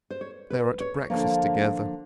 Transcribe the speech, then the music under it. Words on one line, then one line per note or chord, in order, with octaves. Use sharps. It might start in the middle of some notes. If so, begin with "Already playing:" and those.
They are at breakfast together.
C5
C#5
B4
C#5
D3 F3 A#3